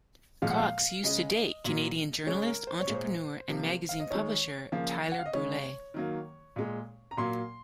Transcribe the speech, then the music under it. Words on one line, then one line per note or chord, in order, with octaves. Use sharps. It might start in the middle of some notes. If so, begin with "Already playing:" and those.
Cox used to date Canadian journalist, entrepreneur, and magazine publisher Tyler Brûlé.
A#2 F3 G#3 F5
F#5
F5
C#3 G#3 D#5
A#2 F#3 A#3
C#3 G#3 C#5
A#4
C5
C#5
A#2 G#3
C5
C3 F3 A#3
F5
D#5
D#3 G#3 C#5
C#3 F3 A#3
F#5
F5
D#5
C#3 G#3 C#5
D#3 F#3 A#3
A#2 G#3
A#5
A#2 F#3 A#3 C6